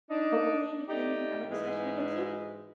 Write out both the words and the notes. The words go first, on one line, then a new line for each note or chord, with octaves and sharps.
hopefully we can have a discussion again soon.
D4 D#4
A3 D#4 G4 D5
G#2 E3 G#3